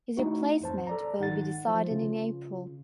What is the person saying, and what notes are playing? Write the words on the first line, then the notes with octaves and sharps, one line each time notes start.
His replacement will be decided in April.
A3 D#4 E4 F#4
A1 F2 C5 A5
A4 D5 A#5
G#1 D#4 F#5 A6
F3
C#3 F4